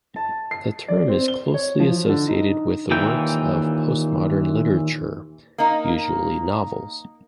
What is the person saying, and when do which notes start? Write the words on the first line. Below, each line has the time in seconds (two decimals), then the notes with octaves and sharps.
The term is closely associated with works of postmodern literature, usually novels.
0.16 A5
0.51 C7
0.88 D5
1.08 C4
1.28 G7
1.54 C#5
1.80 F3
2.09 D3
2.28 D#4
2.91 D#2 A#2 E3 G5
5.58 A#3 D#4